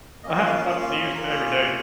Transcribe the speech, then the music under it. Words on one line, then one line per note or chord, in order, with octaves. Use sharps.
I have to watch the news every day.
A#3 C#4 F4 D#5
F5
F5
F5
F5
F5
D#5
C#5
A#3 C#4 F4 A#4
G#4
G#4
G#4